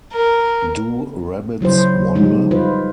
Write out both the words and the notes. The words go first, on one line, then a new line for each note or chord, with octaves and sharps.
Do Rabbits Wonder?
A#4
C#3 F#3 E4 C5
F3 G3 G#3 D#4
F4 B4 C5